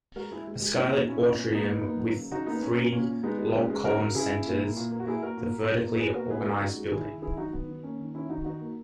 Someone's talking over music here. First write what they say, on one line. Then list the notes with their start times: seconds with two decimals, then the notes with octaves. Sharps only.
A skylit atrium with three log columns centers the vertically organized building.
0.16 G#3 F#4 A#4
0.31 G#3 E4 G#4
0.47 G#3
0.62 G#3
0.77 A#2 C#4 E4
0.92 A#2 D#4 F#4
1.08 A#2 C#4 E4
1.23 A#2
1.30 B3
1.38 A#2 C#4
1.54 A#2 B3 D#4
1.70 A#3
1.85 A#3
2.00 F#3
2.16 C#3
2.31 C#3 D#4 F#4
2.46 A#3 B3 D#4
2.62 A#3 C#4
2.76 A#3
2.92 A#2 C#4
3.07 A#2
3.23 G#3 B3 D#4
3.38 G#3
3.53 C#3
3.70 G#3
3.85 C#3 F#4 A#4
4.00 C#3
4.15 C#3 E4 G#4
4.31 C#3
4.47 A#2
4.61 A#3
4.77 A#2
4.91 A#3
5.00 F#4
5.07 A#3 E4 G#4
5.23 A#3 F#4 A#4
5.37 A#2
5.54 A#3
5.69 B2
5.84 A#3
5.99 B2 G#4 B4
6.14 A#3 F#4 A#4
6.30 C#3 G#4 B4
6.46 G#3 F#4 A#4
6.61 C#3 D#4 F#4
6.76 G#3
6.92 D#3 E4 G#4
7.07 D#3
7.22 D#3 E4 G#4
7.37 F#3 D#4 F#4
7.53 D#3 B3
7.68 D#3
7.83 A#3 C#4
7.99 D#3
8.14 D#3 C#4 E4
8.29 D#3 D#4 F#4
8.45 D#3 D#4 F#4
8.61 A#3